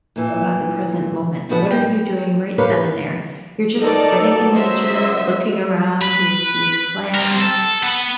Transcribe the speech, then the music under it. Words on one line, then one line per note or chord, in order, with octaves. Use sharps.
about the present moment. What are you doing right then and there? You're just sitting in nature, looking around, you're see plants,
A#2 E3
B2 F3 F#4 B4 D#5 F#5
G5
G4 A#4 B4 C#5 F5
C#2 B2 D#4 A4 A#4 D5
C#2 F#2 F#3 C5 D#5 E5
B4
C4 A#4
A4
B3